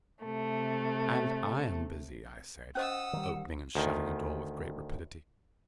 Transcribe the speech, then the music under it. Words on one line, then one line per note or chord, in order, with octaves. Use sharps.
"And I'm busy," I said, opening and shutting a drawer with great rapidity.
C3 A3
C#4 C5 D#5 F#5 D#6 E6
D#3 G3
D2 D#3